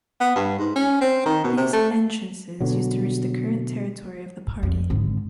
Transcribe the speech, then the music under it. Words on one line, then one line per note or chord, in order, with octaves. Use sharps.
These “entrances” used to reach the current territory of the party.
B3
G2
G#2
C#4
C4
D#3
B2
C3
A3
B2 D3 F#3
F2
G#1 D3